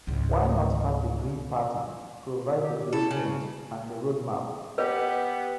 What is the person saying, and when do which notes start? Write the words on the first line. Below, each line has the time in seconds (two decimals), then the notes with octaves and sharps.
Why not have the Green Party provide the blueprint and the road map?
0.07 C#2 G#2
2.49 A#2
2.64 G4
2.93 E4 A4
3.11 C#3 G#5
4.78 B3 G4 B4 C#5 D#5